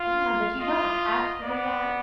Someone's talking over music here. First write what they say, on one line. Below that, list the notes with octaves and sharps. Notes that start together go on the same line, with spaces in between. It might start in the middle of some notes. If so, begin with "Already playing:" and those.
Yeah, but you don't have to do that.
Already playing: F4 F5
F4 D#5
B3 D5